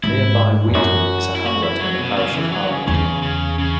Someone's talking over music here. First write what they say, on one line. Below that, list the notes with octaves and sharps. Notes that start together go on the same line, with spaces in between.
Nearby Weedon is a hamlet in the parish of Hardwick.
G#2 E4
E2
F#2 F#4
E4
F#4
E4
F#3
B2
C#3
E3
F#3
C#3
E2 C#3
C#3
C#3